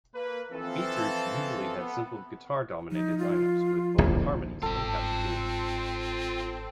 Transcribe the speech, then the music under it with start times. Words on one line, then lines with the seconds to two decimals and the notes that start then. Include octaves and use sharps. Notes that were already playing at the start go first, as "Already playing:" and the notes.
Beat groups usually had simple guitar-dominated line-ups, with vocal harmonies and catchy tunes.
0.14 A#3 B4
0.52 E3 F3 C4 A4
1.76 B3
2.92 F3 D#4
3.19 F4
3.98 D1 A#1 E2
4.62 G1 G#2 C4 F4 A4 G5